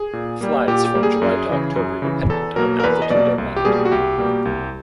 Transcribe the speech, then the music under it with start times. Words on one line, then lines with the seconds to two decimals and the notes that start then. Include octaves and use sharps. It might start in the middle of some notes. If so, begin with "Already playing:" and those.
Flies from July to October dependent on altitude and latitude.
Already playing: G#4
0.13 A#2
0.41 G3 A#3
0.68 A#2 G4
0.85 G4
0.95 G3 A#3
1.03 G#4
1.22 F#2
1.49 C#3 E3
1.76 F#2
2.02 C#3 E3
2.29 E2 A4
2.56 B2 F#3 A#3 A#4
2.80 A#4
2.83 E2 B4
3.02 D#5
3.10 B2 F#3 A#3 D5
3.38 C2
3.56 G4
3.65 B2 G3 A#3 G#4
3.85 F#4
3.92 C2 G4
4.18 B2 G3 A#3
4.45 C2